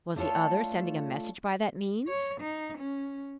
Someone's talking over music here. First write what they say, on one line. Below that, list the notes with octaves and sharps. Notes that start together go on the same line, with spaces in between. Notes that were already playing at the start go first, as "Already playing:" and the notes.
Was the other sending a message by that means?
A3 D4 F4 A4 C#5
C#5
D#4
C#4